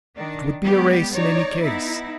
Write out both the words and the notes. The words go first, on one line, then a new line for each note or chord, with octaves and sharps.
It would be a race, in any case.
D#3 D4
G3 G#3 B3 G4
D#4 C#5 D5
B3 D#4 E4